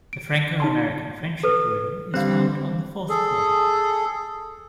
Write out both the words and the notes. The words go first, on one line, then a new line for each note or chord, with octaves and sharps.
The Franco-American friendship room is found on the fourth floor.
D7
D#4 A5 C6
A4 B4
D3 G3 C4 F5 F#6
G#4 A4